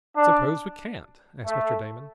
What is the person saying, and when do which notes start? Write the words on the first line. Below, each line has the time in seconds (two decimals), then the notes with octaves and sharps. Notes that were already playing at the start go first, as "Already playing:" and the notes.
"Suppose we can't?" asked Mr. Damon.
0.16 D4
1.45 A3